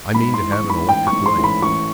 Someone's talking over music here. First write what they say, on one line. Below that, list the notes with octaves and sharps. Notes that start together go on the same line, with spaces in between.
"I mean to have an electric light."
G#2 B5
C6
E3
C#6
G#2
B5
A1 G5
C#6
G#2
C6
A1
B5
A1 C#6